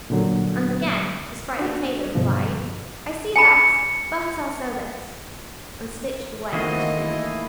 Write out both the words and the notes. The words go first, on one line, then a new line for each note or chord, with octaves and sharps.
And again the sprightly tailor replied: "I see that, but I'll sew this!" and stitched away at his trews.
A#2 D3 F#3
D4 F#4
G2 B2 D3 F3
G#5 A5 B5 C#7
D#3 E3 A3 A#3 C4 F4 F#4 D#5
A3 E4